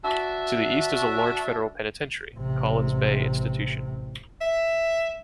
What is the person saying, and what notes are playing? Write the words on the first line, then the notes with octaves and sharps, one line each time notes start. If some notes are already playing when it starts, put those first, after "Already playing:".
To the east is a large federal penitentiary, Collins Bay Institution.
D4 F#4 E5
A1 C3
E5